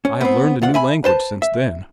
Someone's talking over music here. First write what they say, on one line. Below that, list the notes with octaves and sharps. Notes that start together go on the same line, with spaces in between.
I have learned a new language since then.
C#4
B3 C4
D2 F4 F#5
E5 G#5 B5
B4 C5 A5
E5